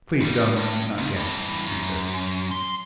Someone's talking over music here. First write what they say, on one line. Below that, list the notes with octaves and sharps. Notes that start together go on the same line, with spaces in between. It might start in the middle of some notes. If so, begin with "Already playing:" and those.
"Please don't--not yet," he said.
C#2 G3
A2
C#2
G2 E3
F#2
C6